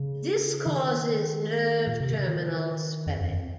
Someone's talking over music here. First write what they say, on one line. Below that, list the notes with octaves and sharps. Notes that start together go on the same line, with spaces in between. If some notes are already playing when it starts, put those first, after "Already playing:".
This causes nerve terminal swelling.
Already playing: C#3
D#3
A#2
C3
C#3
D#3
F2
F2
F2